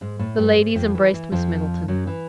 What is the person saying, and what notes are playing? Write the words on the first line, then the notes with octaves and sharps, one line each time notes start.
The ladies embraced Miss Middleton.
G#2 G#3
A2 A3
G2 G3
G#2 G#3
F2 F3
E3
E3
F2 F3
F#2 F#3
E3